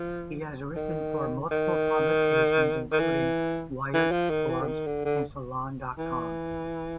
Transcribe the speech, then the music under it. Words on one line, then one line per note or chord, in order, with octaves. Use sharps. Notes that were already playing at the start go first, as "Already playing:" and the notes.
He has written for multiple publications including "Wired", "Forbes", and Salon dot com.
Already playing: F3
D#3
D#3
D#3
E3
E3
F3
D#3
E3
D3
D#3
D3
D3
E3